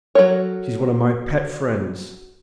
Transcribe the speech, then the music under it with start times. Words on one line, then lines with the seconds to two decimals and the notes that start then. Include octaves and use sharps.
She's one of my pet friends.
0.15 F#3 D#4 A4 A#4 C#5